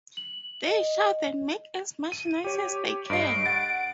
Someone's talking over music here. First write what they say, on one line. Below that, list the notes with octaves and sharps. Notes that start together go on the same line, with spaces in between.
They shout and make as much noise as they can.
F#7
D#5
D#7
G4 C#5
G2 D#5 C7 D7
F#5 A6